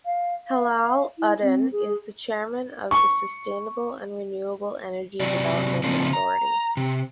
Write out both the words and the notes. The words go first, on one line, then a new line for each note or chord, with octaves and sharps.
Helal Uddin is the chairman of the Sustainable and Renewable Energy Development Authority.
F5
F5
E4
C4
G#4
C#6
C3 F#3 D5
A2 C#3 F3 A#3 C4 D4
A#5
C3